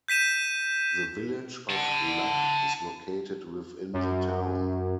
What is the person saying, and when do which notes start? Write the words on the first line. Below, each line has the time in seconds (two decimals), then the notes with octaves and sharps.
The village of Luck is located within the town.
0.08 G6 B6 D#7 E7
1.70 F#5 A5
3.93 F#2